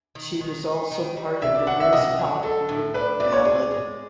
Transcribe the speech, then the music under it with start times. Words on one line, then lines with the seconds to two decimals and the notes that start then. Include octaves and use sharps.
She was also part of the vispop group Ballade!
0.15 D#3
0.41 D#3
0.65 D#4
0.91 D#3
1.16 G3
1.42 C3 E5
1.55 D5
1.67 F#3 F#5
1.80 E5
1.93 C3 D#5
2.19 F#3
2.43 F#3 A4
2.69 A2
2.94 D4 B4
3.20 A2 D5
3.33 C#5
3.45 G#4 D5
3.71 G#3